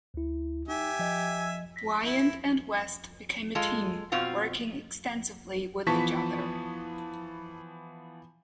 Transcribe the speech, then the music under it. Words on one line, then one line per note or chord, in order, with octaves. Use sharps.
Bryant and West became a team, working extensively with each other.
D2 E4
D#4 G4 E5 G#5
F3 D#5
A#6 B6
E4
G#3 F4 A4 D#5
B2 C4 F4 F#4
E3 F3 B3 A5 C#6 B6